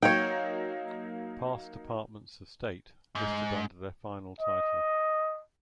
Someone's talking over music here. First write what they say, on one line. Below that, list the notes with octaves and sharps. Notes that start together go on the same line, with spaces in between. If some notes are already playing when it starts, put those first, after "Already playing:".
Past Departments of state, listed under their final title.
F#3 A#3 D#4 C#5 G5
G#2
D#5